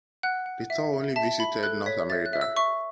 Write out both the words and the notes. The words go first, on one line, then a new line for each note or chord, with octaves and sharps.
The tour only visited North America.
F#5 F#6
F#5
E5
E5
E5 A5
E5 B5
A4 F#6
C#5 B6
E5 A6
F#6
E5
E6
E5 C#6